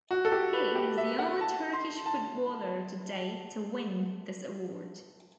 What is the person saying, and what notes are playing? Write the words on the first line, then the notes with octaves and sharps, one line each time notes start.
He is the only Turkish footballer to date to win this award.
F#4
A4
G4
B4
G4
E5
F#5
A5
C6
A5